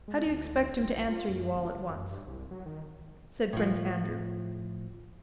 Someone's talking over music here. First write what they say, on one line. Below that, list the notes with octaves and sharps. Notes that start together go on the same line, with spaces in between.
"How do you expect him to answer you all at once?" said Prince Andrew.
G#3
D2
G1
A#1
F4
F#2
G1
F#2
G2
C2
F#3
D#3
A2 F3